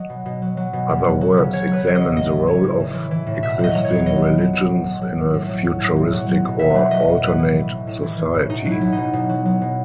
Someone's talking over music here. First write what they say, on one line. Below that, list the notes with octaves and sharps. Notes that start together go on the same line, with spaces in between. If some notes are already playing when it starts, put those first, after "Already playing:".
Other works examine the role of existing religions in a futuristic or alternate society.
Already playing: F#3 D#5
B2
B2
F#3
F#3
B2
C#3
F#3
F#3
C#3
C#3 C#5
F#3
B4
F#3
C#3 D#5
A2 D#5
E3
E3 C#5
A2
A2
E3
E3
A2
B2 E5
F#3 D#5
F#3
C#5
B2
B2 D#5
F#3
F#3
B2
A2
F#3
F#3
A2
A2
F#3
F#3
A2
B2
F#3
F#3
B2
B2 E5
F#3
F#3 D#5
B2
A2 B4
E3
E3
A2
A2
E3
E3
A2
B2 D#4
F#3
E4
F#3
B2 D#4
B2
F#3
F#3
B2